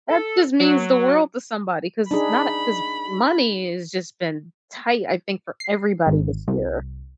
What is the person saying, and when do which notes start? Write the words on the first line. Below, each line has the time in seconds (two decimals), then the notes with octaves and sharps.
that just means the world to somebody 'cause it's not a 'cause money has just been tight, I think, for everybody this year,
0.11 A4
0.60 F#3
2.11 D4 D#4 G#4 B5
5.60 C7
6.07 G#1
6.48 C2